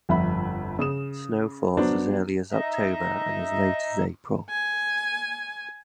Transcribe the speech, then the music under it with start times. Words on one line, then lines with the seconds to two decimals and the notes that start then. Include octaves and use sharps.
Snow falls as early as October and as late as April.
0.09 G1 F2 E5 F#5 B5
0.79 C#3 D#6 E7
1.77 F#3 B3 D4 C5
2.51 D#4 D#5 E5
4.50 G#5